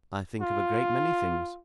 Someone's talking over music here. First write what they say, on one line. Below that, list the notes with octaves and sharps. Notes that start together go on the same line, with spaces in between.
I think of a great many things.
F4